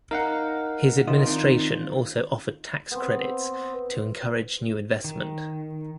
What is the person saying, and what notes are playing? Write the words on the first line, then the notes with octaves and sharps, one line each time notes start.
His administration also offered tax credits to encourage new investment.
D#4 A#4 F5 F#5
D#3 F4 D#5
C4 D4 D#4
B3 C4
D#3